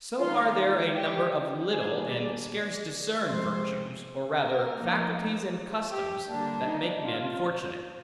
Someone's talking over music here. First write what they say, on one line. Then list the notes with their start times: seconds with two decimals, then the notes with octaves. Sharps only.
So are there a number of little, and scarce discerned virtues, or rather faculties and customs, that make men fortunate.
0.19 D#3 G#3 D#4 F4
0.96 G4
1.72 D#3 G3 A#3 D4 G#4
2.10 D5
2.48 D5
3.24 C3 F3 G#3 C5
4.38 A#4
4.76 F3 A#3 D#4
5.91 G4
6.29 D3 G3 A#3 D4
6.67 D#4
7.05 F4